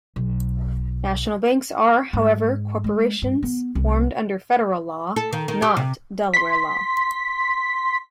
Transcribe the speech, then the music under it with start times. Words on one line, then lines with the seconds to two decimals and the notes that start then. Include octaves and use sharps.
National banks are, however, corporations formed under federal law, not Delaware law.
0.16 B1
2.13 G#2
2.84 G#3
3.22 G2
3.43 B3
3.75 C2
5.16 A4
5.33 D#3
5.48 D#3
5.62 G4
5.77 C3
6.34 C6 B6